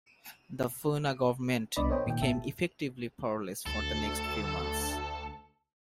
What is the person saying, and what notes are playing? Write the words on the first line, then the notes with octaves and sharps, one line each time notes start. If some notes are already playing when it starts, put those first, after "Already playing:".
The Phouma Government became effectively powerless for the next few months.
C2 B3 D4 D5 D#5 B5
A#4 C5 C#5 D#5 G5
A#2 D#3 G5
G#1 B2 E5 A5
D2 A4